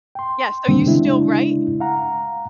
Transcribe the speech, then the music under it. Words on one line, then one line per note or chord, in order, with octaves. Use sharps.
Yes, so you still write?
G5 C6
D3 D#3 G3 A#3 C4 D4
C#3 G#3 D4 E4
F5 F#5 A#5